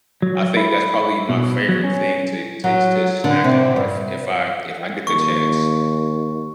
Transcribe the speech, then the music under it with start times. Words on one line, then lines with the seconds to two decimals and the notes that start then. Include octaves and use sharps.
I think that's probably my favorite thing to to to snack on if if I if I get the chance,
0.22 F#3
0.57 E4
1.29 B2
1.69 F#3
1.84 C#4
2.64 F#3
3.24 D3
3.44 C3
3.76 G2
5.07 D#2 C#6